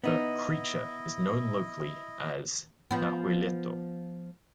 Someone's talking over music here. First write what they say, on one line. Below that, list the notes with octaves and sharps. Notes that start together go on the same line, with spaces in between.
The "creature" is known locally as "Nahuelito".
B3 D#4 E4 D#5
F3 B3